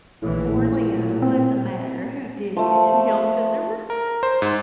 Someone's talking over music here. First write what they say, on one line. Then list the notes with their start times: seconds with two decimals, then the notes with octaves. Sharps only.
poor Leo, what's a matter? Who did it?" and he'll sit there,
0.22 A#1 A2 E3
0.54 A#2
1.22 C4
2.57 F3 A3
3.90 A#4
4.23 C5
4.42 G#2